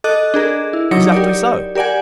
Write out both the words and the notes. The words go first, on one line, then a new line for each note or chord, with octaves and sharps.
"Exactly so."
A4 D#5 D6 F#6
D4 G#4 A#4
E4
F#3 D#4 C#5 D6 A#6 C#7
G4 A#4 D5
G4 A#4 D5 F#5 G#5